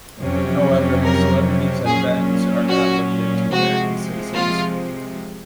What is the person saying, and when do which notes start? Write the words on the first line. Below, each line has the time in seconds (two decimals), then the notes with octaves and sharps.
However, celebrities at Ben's are not limited to American citizens.
0.20 F2 C3 F#3 C#4
1.02 A#4
1.85 A#2 F#3 C#4 G#4
2.68 F#4
3.51 C3 F3 G#3 F#4
4.34 F4